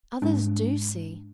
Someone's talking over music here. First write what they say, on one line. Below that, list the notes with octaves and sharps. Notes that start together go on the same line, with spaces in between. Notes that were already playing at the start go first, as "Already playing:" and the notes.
Others do see!
G#2 G#3 D4